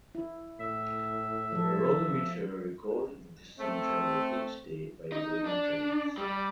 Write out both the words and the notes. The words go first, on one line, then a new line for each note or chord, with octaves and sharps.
The "Roadometer" recorded the distance traveled each day by the wagon trains.
E4
A2 E5
F3 A4
A3 C4
D#4
D4
G3